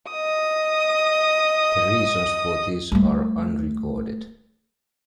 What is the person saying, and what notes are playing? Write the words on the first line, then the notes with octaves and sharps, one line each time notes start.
The reasons for this are unrecorded.
D#5 D#6
G3 A3